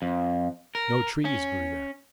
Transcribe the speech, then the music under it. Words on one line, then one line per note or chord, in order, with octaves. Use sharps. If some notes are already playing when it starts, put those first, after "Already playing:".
No trees grew there.
F2
A#4
C#4